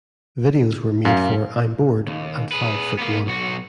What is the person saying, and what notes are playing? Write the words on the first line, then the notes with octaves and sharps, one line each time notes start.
Videos were made for "I'm Bored" and "Five Foot One".
F#2 F5
D#2
G#4 B4
A#3 B3
B1 F#4